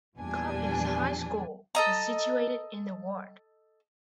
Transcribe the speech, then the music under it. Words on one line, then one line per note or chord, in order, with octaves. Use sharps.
Coppice High School is situated in the ward.
E2 A#2 F3 G3 D4 G#5
A4 D#5 A#5